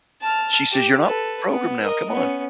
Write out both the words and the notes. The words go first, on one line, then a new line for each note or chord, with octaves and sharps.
She says, "You're not programmed now, come on.
A5 F6
G4
A4 B4
B3
A#4 D#5
B3 C#4